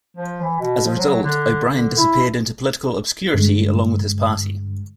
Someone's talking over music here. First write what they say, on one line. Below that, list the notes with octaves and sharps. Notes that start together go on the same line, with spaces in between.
As a result, O'Brien disappeared into political obscurity along with his party.
F3
E3
B2
F3
F#3
D3
D3
E4
G2 D3 G#3